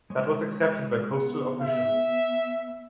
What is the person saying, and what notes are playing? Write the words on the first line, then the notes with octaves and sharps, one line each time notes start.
That was accepted by postal officials.
G#3 C#5
B3
E5